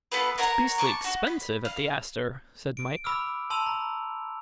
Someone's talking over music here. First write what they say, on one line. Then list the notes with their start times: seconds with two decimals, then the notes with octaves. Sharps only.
"It's beastly expensive at the Astor," said Mike.
0.12 B3 F4 A4 B4
0.38 A#4 C#5 F#5 A#5
0.78 A5 C#6 D6
1.04 F#4
1.27 B5
1.65 F5
2.77 D7
3.04 B5 D6 E6 F6
3.50 A5 C6 E6 F7
3.66 A#5